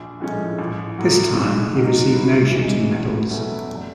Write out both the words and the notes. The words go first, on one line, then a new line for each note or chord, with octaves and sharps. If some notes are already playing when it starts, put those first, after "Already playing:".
This time, he received no shooting medals.
Already playing: A#1
A2 F3 G#3 C#4
A1
A2 F#3
G#2
D#3 F#3 A#3
G2
E3 G#3
E2
B2 F#3 A3 C#4
F1